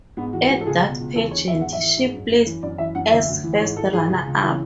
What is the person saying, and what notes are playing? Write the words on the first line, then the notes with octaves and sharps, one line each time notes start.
At that pageant she placed as first runner-up.
G#2 B3
E3 F#4
G#2 F#4
A4
C#2 G#4
B2
C#2
E2 A4
D3 C#5
E2 E5
G#2 F#5
E5
E3
G#2
F#2
F#2
E3
F#2 D5
E3 E5
F#2 F#5
D2 E5
D2
E3
G#2 C#5
E3 A4
G#2 G#4
C#2 G#4
C#2
E3
C#4